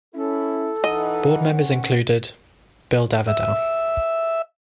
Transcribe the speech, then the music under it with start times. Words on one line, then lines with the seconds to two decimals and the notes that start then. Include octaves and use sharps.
Board members included: Bill Davidow.
0.15 C#4 E4 A4
0.84 E3 D#4 D#5 F#5
1.53 D#3 C4 C#4
3.27 E5